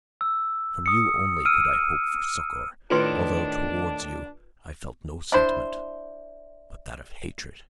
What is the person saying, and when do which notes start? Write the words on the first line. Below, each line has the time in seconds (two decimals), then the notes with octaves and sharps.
From you only could I hope for succour, although towards you I felt no sentiment but that of hatred.
0.21 E6
0.86 D#6 C#7
1.45 E6 F6 D7 D#7
2.91 A2 D#3 D4 F4 B4 C6
5.32 D4 E4 C5